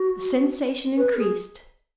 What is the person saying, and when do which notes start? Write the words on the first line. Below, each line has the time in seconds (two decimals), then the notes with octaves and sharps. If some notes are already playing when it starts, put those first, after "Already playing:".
The sensation increased.
Already playing: F#4
0.97 B4
1.13 A#4
1.18 G#4